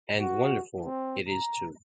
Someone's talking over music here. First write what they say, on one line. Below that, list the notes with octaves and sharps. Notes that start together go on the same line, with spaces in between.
And wonderful it is too.
F#4
C4
A#5